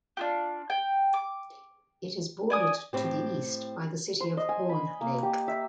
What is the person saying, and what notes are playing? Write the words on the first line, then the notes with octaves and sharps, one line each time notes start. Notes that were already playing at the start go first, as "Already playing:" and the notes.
It is bordered to the east by the city of Horn Lake.
D4 F4 G4
G5
D6
D5 G#5 D#6
A2 C4 G4
C5
D#5
G#5
B5
A#3
G4
E5